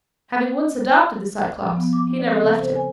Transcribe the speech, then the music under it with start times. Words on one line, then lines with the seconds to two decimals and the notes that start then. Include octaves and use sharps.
Having once adopted the Cyclops, he never left him.
1.63 F3
1.77 B3
1.93 D6
2.07 C4
2.18 D5
2.31 A4
2.43 C#3
2.60 C5
2.75 G#5